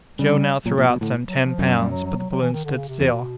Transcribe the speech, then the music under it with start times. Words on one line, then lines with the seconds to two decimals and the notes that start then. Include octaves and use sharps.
Joe now threw out some ten pounds, but the balloon stood still.
0.18 C#3 G3
0.65 A#2 F#3
0.78 A#2 F3
0.90 B2
1.01 A2 D3
1.28 F#3
1.44 F3
1.59 F#2 F#3
1.75 G3
1.91 F#3
2.06 F#3
2.18 F#3
2.30 F#3
2.41 E3
2.53 D#3
2.65 D3
2.76 C#3
2.88 C3
2.99 E2 B2